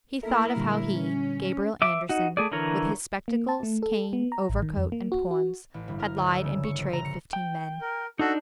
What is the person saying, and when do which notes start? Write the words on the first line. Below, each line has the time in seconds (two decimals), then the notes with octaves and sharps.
He thought of how he, Gabriel Andersen, with his spectacles, cane, overcoat and poems, had lied and betrayed fifteen men.
0.23 A#3 E4 A4 A#4 E5
0.56 A#2 D3 G3
0.90 C#4
1.82 E5 D6
2.09 D#4 F#4
2.37 A3 G#4 D5
2.52 D3 E3 A#4 C#5
3.28 A#3
3.49 A5
3.63 A3
3.83 A4
4.13 B3
4.32 A#5
4.49 A1
4.62 D#3
4.76 F2
4.92 A#3
5.12 F#4
5.31 F#4
5.74 A1
5.88 G1
6.00 A#4
6.17 D2
6.31 E6
6.44 C#3
6.64 C#6
6.78 A#1
6.93 A#5
7.05 C#7
7.33 G5
7.81 A#4
8.19 D4 D#4 F#4 A4